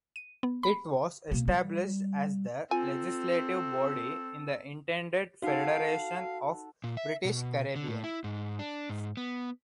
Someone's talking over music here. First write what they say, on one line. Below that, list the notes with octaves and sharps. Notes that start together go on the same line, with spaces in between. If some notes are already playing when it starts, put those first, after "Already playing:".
It was established as the legislative body in the intended federation of British Caribbean.
D#7
B3
B5
B2 A#3
G3
C4 F4 A4 G#5
D#4 F#4 A4 F5 F#5
A#2
E5
B2
D3
A2
E4
G#2
D4
G#2
B3